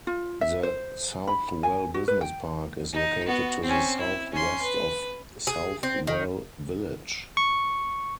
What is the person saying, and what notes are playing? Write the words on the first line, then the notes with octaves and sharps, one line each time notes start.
The Southwell Business Park is located to the south-west of Southwell village.
F4
E5
C5
B5
G#5
F#4
B4
G5
D#4
B3 F#4
C4 C#4
E4
C#4 C6
B4
G#4
C4
D#3
C#6